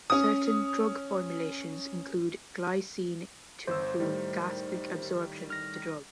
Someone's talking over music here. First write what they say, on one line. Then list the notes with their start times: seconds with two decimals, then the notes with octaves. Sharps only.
Certain drug formulations include glycine to improve gastric absorption of the drug.
0.10 C#4 D#6
3.67 G1 C5 E6
4.00 A2 D#3 G3
5.50 F6 A#6